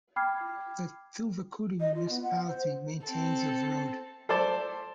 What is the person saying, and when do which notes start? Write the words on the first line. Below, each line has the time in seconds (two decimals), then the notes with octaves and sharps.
The Thuvakudi municipality maintains of road.
0.16 G5 B5 D6 F6 G#6 C7
1.80 D#5
1.95 F4
2.10 B3
2.22 F#5
2.48 C5
3.03 C4 A4
4.29 A4 C5 D5 A5